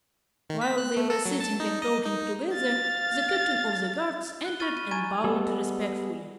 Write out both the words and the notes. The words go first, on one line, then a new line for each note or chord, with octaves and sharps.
While they were sitting and talking together the Captain of the Guards entered and bowed respectfully.
D#3
B6
F#6
A3
A4
F#3
A5
D#4
D#5
D#4
F5 A6
F#6 G7
B5 C#6 F6 A6 D#7
D#7
G#5 A#5 C#6 G#6 A6 D#7
G3 G#3 B3 A4